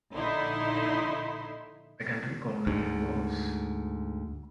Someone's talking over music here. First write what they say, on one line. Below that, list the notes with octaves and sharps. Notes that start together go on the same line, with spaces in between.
I can recall nothing worse.
A#1 D3 D#4 E4 C6
D2 G#2